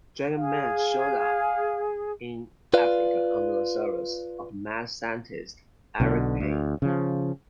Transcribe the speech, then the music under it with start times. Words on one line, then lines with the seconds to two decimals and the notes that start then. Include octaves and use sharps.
Dragon Man showed up in Africa under the service of mad scientist Eric Pain.
0.37 G#4 F5
2.74 F4 B4 D5 F5
6.00 B1 B2 D3
6.40 D2
6.82 C#3 F3